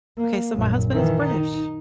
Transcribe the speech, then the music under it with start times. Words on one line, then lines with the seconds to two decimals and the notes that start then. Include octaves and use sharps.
Okay, so my husband is British,
0.18 A#3
0.55 A#1 F#2
0.91 D#3 E3
1.24 D#4